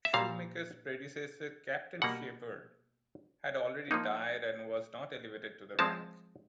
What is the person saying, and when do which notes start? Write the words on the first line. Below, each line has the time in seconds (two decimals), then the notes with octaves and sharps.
Shoemaker's predecessor, Captain Shepard, had already died and was not elevated to the rank.
0.05 E5
0.13 A#2 G3 A#3 F5
2.02 B2 G3 A#3 F#5
3.91 F3 A#3 D#4
5.79 F3 G#3 C4 A5